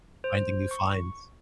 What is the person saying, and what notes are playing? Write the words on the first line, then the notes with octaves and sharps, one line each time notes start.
finding new finds.
C5
C#6